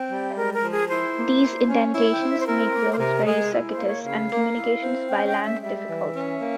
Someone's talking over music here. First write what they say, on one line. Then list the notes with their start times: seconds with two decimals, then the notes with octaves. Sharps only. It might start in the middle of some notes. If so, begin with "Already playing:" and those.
These indentations make roads very circuitous and communications by land difficult.
Already playing: C4 G5
0.10 G3
0.36 G#3 A#4
0.54 A#4
0.63 F3
0.71 G#4
0.89 E4 C5
1.15 A#3
1.41 E4
1.68 C#4
1.94 E4 C#5
2.12 G5
2.20 C4
2.29 E5
2.40 C5
2.47 E4 A#4
2.73 A#3
2.93 C5
2.99 C3 A#4
3.26 G#3 G#4
3.52 E4
3.70 C5
3.78 A#3
3.87 C#5
4.04 C#3 F5
4.31 A#3
4.57 E4
4.83 C4
5.09 C#4 G5
5.27 G5
5.35 G#3
5.44 E5
5.62 G3 E5
5.88 E3
6.14 C#4
6.41 A#3